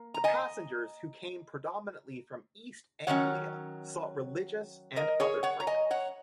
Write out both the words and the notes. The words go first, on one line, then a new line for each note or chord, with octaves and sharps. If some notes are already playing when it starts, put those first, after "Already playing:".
The passengers who came predominantly from East Anglia sought religious and other freedoms.
Already playing: A#3
A#5
D#5 G#5
D#3 F#3 C#4 C#5 F#5
A#4 D#5
G#4 C#5
C#5 F#5
A#5
D#5 G#5
C#5 F#5